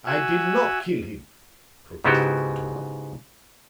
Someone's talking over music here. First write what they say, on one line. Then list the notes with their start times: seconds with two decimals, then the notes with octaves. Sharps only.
"I did not kill him," protested Spatola.
0.07 F#4 E5 G#5
2.04 G#2 C#3 B3 E4 F#4 G4